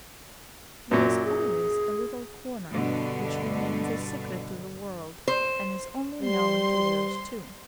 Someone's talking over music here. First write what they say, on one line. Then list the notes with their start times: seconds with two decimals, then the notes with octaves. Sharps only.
There's always a little corner which remains a secret to the world and is only known to those two.
0.91 F#2 A#2 F#4
1.25 G#4
2.70 G2 B2 D3
5.28 C5
6.22 G3 C5 C6